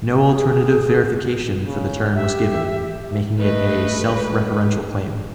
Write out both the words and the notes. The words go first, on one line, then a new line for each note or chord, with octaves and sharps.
No alternative verification for the term was given, making it a self-referential claim.
G#4
C#3
G4 E5
A3 B4 D#5
G#3